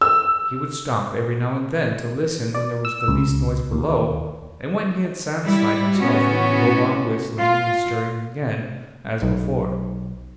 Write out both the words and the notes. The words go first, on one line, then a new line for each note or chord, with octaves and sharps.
He would stop every now and then to listen when there was the least noise below: and when he had satisfied himself, he would go on whistling and stirring again, as before.
E6
D5
E6
C#2
D#2
G3 E4
A2 B3 C#4 F#4
F4
B1